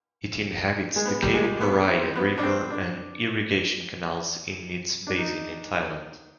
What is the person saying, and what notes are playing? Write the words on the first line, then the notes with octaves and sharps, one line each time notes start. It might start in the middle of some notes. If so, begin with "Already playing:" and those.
It inhabits the Chao Phraya River and irrigation canals in its basin in Thailand.
G#3
B3
G3
G#3
B3
C4
B3
D4
C4
D4
D4
D#4